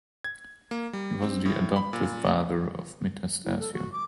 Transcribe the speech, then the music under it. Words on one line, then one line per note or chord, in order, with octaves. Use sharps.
He was the adoptive father of Metastasio.
G#6
A#3
G3
C4
A2
B5
A#2
E4
A4
F#4
D6